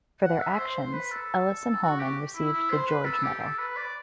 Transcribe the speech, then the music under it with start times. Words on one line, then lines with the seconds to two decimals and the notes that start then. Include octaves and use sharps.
For their actions, Ellis and Holman received the George Medal.
0.23 F#5
0.40 E5
0.58 C5
0.76 C5
0.93 B4
1.11 A4
1.82 F#4
2.00 G4
2.35 E4
2.53 E4
2.70 C5
2.87 B4
3.05 A4
3.23 G4
3.41 A4
3.58 B4
3.76 D5